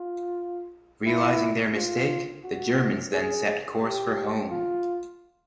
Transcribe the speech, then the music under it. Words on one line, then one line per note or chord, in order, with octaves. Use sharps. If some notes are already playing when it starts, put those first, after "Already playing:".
Realising their mistake, the Germans then set course for home.
Already playing: F4
E4
F4
F#4
G#4
G4
F4